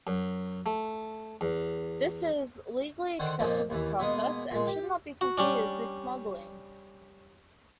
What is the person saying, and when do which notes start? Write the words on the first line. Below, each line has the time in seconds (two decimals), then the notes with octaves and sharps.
This is a legally acceptable process and should not be confused with smuggling.
0.07 F#2
0.66 A3
1.41 E2
3.19 D3 D#3 C5 F#5 C#6
3.39 F2 A#2 F3 A#3 C#4 D#4
3.70 D#2 E3
3.99 B2 G#3 A#3 D#6
4.51 A#2 G#3
4.67 G4
5.21 F#4
5.38 G3 C#4 D4